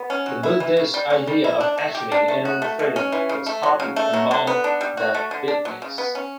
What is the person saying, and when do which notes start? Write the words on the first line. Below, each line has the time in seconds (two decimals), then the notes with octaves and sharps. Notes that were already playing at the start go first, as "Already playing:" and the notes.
The Buddhist idea of achieving inner freedom was popular among the Beatniks.
Already playing: B3
0.10 C#4
0.26 F#3
0.43 E4
0.60 E3
0.77 C#3
0.94 G3
1.10 C#4
1.27 G3
1.44 E4
1.60 D4
1.78 A3
1.95 G4
2.12 D4
2.28 A3
2.45 F#4
2.62 A3
2.79 B2
2.96 C#4
3.12 E3
3.29 C#3
3.46 A3
3.63 F#3
3.80 C#3
3.96 A3
4.14 F#3
4.31 D3
4.47 B3
4.64 D4
4.81 G3
4.97 F#4
5.15 A3
5.31 D3
5.48 D4
5.65 F#3
5.82 C#3
5.98 B3
6.15 C#4